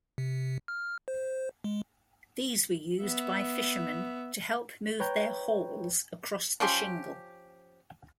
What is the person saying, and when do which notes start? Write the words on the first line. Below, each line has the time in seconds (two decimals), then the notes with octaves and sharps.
These were used by fishermen to help move their hauls across the shingle.
0.18 C3
0.68 F6
1.08 C5
1.64 G#3
3.04 B3 E5
5.00 B4 C#5 G5 A#5 G6
6.60 F3 C#4 G4 C6